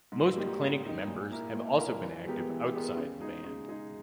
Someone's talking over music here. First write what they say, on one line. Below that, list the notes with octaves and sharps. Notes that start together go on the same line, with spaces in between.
Most Klinik members have also been active outside the band.
G#2
G3 A#3 D#4 G4
G#2
G3 A#3 D#4 G4
A#2
A#3 E4 A#4
A#2
A#3 E4 A#4
E3
G#3 B3 G4 A#4
E3
G#3 B3 G4 A#4
C#3
G#3 D#4 G#4
C#3
G#3 D#4 G#4